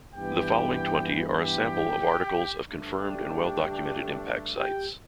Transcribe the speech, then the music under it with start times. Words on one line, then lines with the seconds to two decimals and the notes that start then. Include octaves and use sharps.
The following twenty are a sample of articles of confirmed and well-documented impact sites.
0.14 G2 E3 B3 G4 G5
1.41 G4 G5
2.68 G2 D3 A3 D4
2.99 G4 G5
4.57 G4 G5